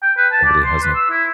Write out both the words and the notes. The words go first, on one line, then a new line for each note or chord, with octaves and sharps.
somebody has it.
G5
B4
A5
D5
C6
B4
E6
E4